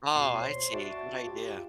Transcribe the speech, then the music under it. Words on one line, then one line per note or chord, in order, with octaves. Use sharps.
Oh, I see, good idea.
B2 C6
C5 C#5
D4 F#4 E5 C#6
F4 G4